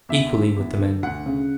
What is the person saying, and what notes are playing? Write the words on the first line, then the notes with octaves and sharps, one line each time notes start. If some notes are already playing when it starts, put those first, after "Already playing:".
Equally with the men.
E2 E5
D3
E2
D3
D2 F#5
C#3